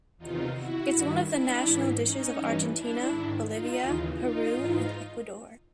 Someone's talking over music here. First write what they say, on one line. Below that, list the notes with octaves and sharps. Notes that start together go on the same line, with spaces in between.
It's one of the national dishes of Argentina, Bolivia, Peru and Ecuador.
E2 C3 D#3 D#4 F4
E4 F#4
G2 D#3
D4 E4
G#2 E3
C#4 D#4
G2 E3
D4 E4
G#2 D#3
D#4 F4
D#2 C#3 E3
D#4 F4
G#2 E3